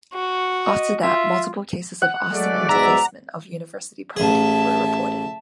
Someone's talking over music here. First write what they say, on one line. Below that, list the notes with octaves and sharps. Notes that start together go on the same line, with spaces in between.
After that, multiple cases of arson and defacement of university property were reported.
F#4
D#5
F4 E5
F#5
F#3 G#3 A3 D5
G#2 B2 E5 A#5
A1 G#4 E5 A5